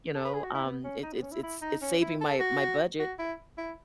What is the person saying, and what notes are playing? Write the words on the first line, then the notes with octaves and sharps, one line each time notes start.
you know, um, it it's it's it's saving my my budget.
A4
B4
G#4
F#4
E4
B3
C#4
D#4
B3
C#4
E4
E4
D#4
C#4
E4
A4
F#4
F#4
E4
E4